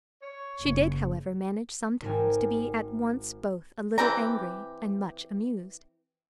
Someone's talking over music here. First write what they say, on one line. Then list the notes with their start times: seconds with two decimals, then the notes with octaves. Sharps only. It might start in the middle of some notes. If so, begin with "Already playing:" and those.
She did, however, manage sometimes to be at once both a little angry and much amused.
0.22 C#5
0.61 F#1
2.02 G#1 C4 G4 A#4 G#5
3.98 E3 C4 G4 A#5